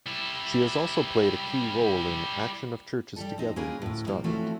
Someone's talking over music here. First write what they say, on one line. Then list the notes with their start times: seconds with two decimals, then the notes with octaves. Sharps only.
She has also played a key role in Action of Churches Together in Scotland.
0.06 G3 E4
3.16 G3 G4 A4
3.38 C4 D#4
3.56 A#3 C#4 F4 G#4 A#4 B4
3.82 D2 A2
4.06 C3 G3 A#3
4.24 E3 F3 A3 C4 C#4 F#4